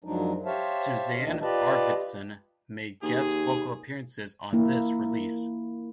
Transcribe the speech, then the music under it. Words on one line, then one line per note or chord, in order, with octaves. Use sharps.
Susanne Arvidsson made guest vocal appearances on this release.
F#2 F3 F#3 G#3 D4 D#4
G4 C5 C#5 E5 F5 A5
D2 A#2 D#3 D4 D#5
F4 G4 B4 D5 D#5 A5
D#2 G#4
A#3 E4